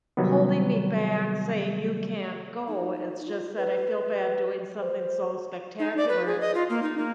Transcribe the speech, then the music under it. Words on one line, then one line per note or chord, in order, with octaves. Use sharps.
holding me back saying, "You can't go." It's just that I feel bad doing something so spectacular
C3 D#3 F#3 G3 B3
D#4
F4
B4
C5
D#4
D5
B4
G#4
D#5
F4
A#3
D#4
A#3